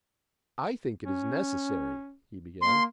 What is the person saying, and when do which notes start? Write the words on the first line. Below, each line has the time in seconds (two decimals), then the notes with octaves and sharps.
"I think it is necessary," he began.
1.05 C#4
2.62 A#3 C6